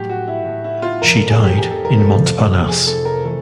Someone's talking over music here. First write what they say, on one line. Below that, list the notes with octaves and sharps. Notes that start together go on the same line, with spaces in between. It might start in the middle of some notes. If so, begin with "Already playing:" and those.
She died in Montparnasse.
Already playing: A2 F#3 A3 G4
F#4
E4
A2 F#3 A3
E4
F4
F2 C3 F3 A#4
A4
G#4
G4
F2 C3 F3 G#4
A4
A#4
A4
F2 C3 F3
F2 C3 F3 G#4
A4
A#4
E3 A3 A4